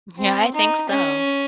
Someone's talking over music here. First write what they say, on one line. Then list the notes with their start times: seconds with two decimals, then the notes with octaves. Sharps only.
Yeah, I think so.
0.19 C4
0.54 D#4
0.89 C#4